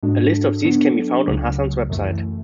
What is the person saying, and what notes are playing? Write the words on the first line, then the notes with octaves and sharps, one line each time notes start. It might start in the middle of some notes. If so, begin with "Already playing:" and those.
A list of these can be found on Hassan's website.
G#2 G#3 D4 F#4 A4
D3 F#3 B3 D4 A4
C#2 C#3 F#3 A3
F#2 E3 A3